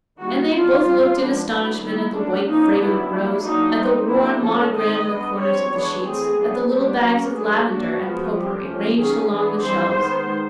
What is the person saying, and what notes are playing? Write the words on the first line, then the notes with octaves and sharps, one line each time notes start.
And they both looked in astonishment at the white, fragrant rows, at the worn monogram in the corners of the sheets, at the little bags of lavender and pot-pourri ranged along the shelves.
D#3 G3 A#3 F#4
F#3 B3 D4 F4
G3 C4
F3 G#3 B3 D4
F#3 B3 D4 E4
D#3 G3 A#3 E4
E3 A3 C#4 D4
F3 A#3 C#4 D#4
D#3 F#3 B3 D4 E4
F#3 A#3 D4
F#3 A#3 D4 D#4
G3 C4
D3 F#3 A#3 D4 E4
F3 A3 C#4 A4
D#3 G#3 C4 D#5
G3 B3 D4
G3 C4 C#5
E3 G#3 B3 D4
E3 A3 C4 G#4
F#3 B3 D4
G3 B3 D4 G4
F#3 A#3 C#4 A#4
F#3 B3 D4 G#4
F#3 A#3 D4 F#4
F3 G#3 B3
G3 C4 G4
F3 A3 C#4
D#3 F#3 A#3 C#4 G#4
E3 G#3 B3 D4 G#4
E3 G3 C4 C5
D#3 G#3 B3